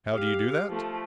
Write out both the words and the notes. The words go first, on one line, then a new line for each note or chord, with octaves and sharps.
"How do you do that?"
G4 F5
F3 A3